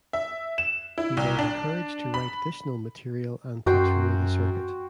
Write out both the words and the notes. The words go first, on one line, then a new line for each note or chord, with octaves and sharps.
He was encouraged to write additional material and to tour the circuit.
E5
E7
E4
C2
D4
B5
F#2 F#4 G5 C6